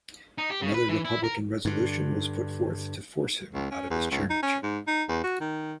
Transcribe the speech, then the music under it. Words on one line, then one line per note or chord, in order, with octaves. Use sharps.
Another Republican resolution was put forth to force him out of his chairmanship.
D#4
G4
C#3
B4
E3
E4
A#4
G2 D3
C#2
C#4
E2
C#2
D#4
C#4
G#2
D#4
E2
F#4
D#3